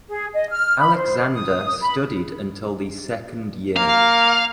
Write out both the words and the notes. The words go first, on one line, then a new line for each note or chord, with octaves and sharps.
Alexander studied until the second year.
G#4
D#5
F6
B5
C5
D#6
B5
A#3 F5